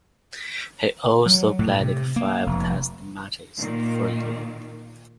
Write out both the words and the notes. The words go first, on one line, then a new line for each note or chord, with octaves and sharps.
He also played five Test matches for England.
F#3
A2
C3
A#3
F1
A#2 D#3 A#3